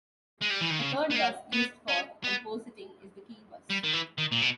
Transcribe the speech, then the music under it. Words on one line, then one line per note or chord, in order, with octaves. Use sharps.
A third bus used for compositing is the "key bus".
G#3
G3
E3
D#3
C#3
B3
A#3
B3
C#4
B3
G3
D#3
E3
D#3
A#2
B2